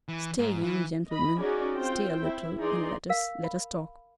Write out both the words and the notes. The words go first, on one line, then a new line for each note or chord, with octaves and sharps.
Stay, young gentleman, stay a little, and let us--let us talk.
E3
G#2
E3
D#5 B5
C#4 D#4 F#4 G#4 D5
C4 F4 C5 G5
E4
E3 D#4 G#4 D5 C6
A#4 F5
B5